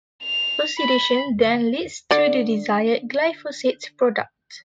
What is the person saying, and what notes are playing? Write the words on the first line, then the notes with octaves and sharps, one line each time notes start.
Oxidation then leads to the desired glyphosate product.
F7
B5
D3 D5